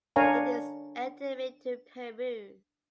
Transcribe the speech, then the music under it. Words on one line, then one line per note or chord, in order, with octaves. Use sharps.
It is endemic to Peru.
D4 A#4 C#5 F5 G#5 A#5